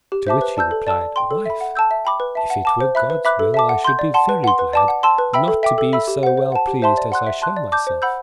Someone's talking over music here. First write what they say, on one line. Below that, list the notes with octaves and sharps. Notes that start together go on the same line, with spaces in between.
To which he replied, "Wife, if it were God's will, I should be very glad not to be so well pleased as I show myself."
G4
C5 E5 A5 D6
B4
D5 A5 E6 G6
A4
D5 A5 E6
D5
G5 C6
A4
E5 B5
F#5
A5 E6 G6
E5
G5 B5 D6
B4
E5 A5
F#5
A5 D6
C5
E5 B5 F#6
B4
E5 B5 D6 F#6
A4
E5 A5 D6
F#5
C6 G6
D5
F#5 A5 C6
B4
F#5 C6
B4
D5 A5 D6
F#5
A5 C6 E6
B4
E5 G5 B5 E6
A4
E5 G5 D6
A4
E5 B5 E6
G4
C5 F#5
C5
F#5 A5
G4
C5 E5 A5 C6
D5
F#5 C6 F#6
E5
A5 C6 F#6
D5
A5 D6 G6
C5
F#5 B5 E6 G6